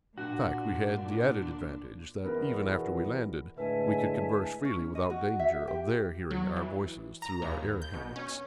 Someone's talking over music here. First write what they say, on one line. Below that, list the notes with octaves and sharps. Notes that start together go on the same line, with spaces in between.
In fact, we had the added advantage that, even after we landed, we could converse freely without danger of their hearing our voices through our air helmets.
A#2 D4 F#4
E2 B2 B3 A#4
A2 D3 G#3 B4 E5 G#5 A5
C#4
D#5
F#4
E5
G4
F#3
E3
A#5
D#2
G6
B2
C#4